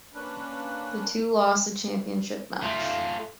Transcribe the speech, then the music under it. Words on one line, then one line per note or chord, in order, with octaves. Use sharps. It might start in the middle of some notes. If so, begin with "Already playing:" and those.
The two lost the championship match.
A#3 C#4 D4 B4
A3 F4